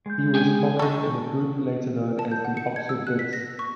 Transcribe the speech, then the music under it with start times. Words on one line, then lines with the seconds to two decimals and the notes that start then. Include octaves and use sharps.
He was prominent in the group later known as the Oxford Wits.
0.06 G#3 G6
0.35 G#4 G5 G#5
0.79 D#3 D#4 A4 C#6
2.19 A5
2.31 G6
2.45 F#5
2.57 C#7
2.76 G#6
2.89 E6
3.07 F#6
3.19 B6
3.33 A#6
3.59 C#6